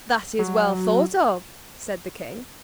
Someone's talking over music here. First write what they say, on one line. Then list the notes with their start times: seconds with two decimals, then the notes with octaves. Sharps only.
"That is well thought of," said the King.
0.39 F#3